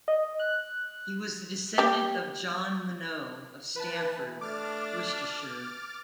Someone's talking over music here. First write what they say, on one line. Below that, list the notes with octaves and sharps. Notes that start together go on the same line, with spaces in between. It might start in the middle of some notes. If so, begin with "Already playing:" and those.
He was a descendant of John Monoux of Stanford, Worcestershire.
D#5
F#6
G3 G4
E3 B4 A5
A3 D4 D6 F6 A6